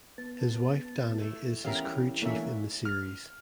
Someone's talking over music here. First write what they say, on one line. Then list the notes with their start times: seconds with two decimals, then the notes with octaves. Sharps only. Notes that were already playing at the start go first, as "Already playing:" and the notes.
His wife Dani is his crew chief in the series.
0.18 B3 A5
1.19 A3 E4
1.65 E3 G3 B3 C#4 A#4 E5 F5
2.22 E3 A3 A#3 C#4 D4 E5
2.85 F6